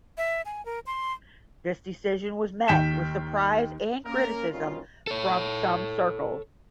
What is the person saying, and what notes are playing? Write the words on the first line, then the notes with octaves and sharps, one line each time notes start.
This decision was met with surprise and criticism from some circles.
E5
G#5
A#4
C6
D#2 D#3 G5 G6 B6 E7
A#3 C#4 A#4
C2 B2 D#3 C#4 F4
A4 C#5